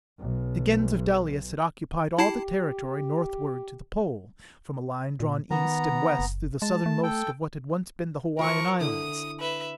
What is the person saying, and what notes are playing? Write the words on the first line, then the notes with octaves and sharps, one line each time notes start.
The Gens of Dalis had occupied all the territory northward to the Pole, from a line drawn east and west through the southernmost of what had once been the Hawaiian Islands.
B1
E4 G4 A5 C7
A#2
D#3 B3 A#5
F#1
G#3 A5
A3
A4 G5
F3 A#4 C6 C#6
D3 E4 D#6
B4 E5